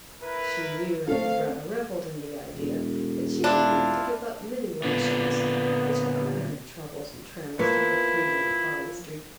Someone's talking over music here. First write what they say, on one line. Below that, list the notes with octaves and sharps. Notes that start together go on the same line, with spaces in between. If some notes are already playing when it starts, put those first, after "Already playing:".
She knew, and had rather revelled in the idea, that she should have to give up many luxuries, which had only been troubles and trammels to her freedom in Harley Street.
E4 A#4 B4
A3 C4 C#4 A4 F5
E1
D4 E4 F4
A#2 D3 B3
F3 A#3 E4 B4 C#5